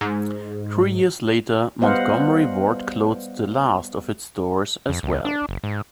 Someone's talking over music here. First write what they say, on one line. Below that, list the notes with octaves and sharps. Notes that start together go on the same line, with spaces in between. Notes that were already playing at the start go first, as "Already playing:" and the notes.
Three years later, Montgomery Ward closed the last of its stores as well.
G#2
G3 B3 C5 D#5 F5 F#5
F2
C#2
D4
F#1
G#2